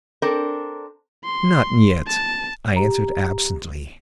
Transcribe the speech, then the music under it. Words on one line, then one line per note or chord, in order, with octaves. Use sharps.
"Not yet," I answered absently.
C4 D4 A4 A#4
C6
A5
G4 A#5